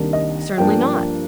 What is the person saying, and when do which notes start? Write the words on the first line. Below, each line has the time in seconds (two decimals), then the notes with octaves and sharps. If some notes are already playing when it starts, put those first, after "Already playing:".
"Certainly not."
Already playing: C2 C3 D#3 A#3 D4
0.13 D#5
0.57 G2 F3 A#3 D4 G5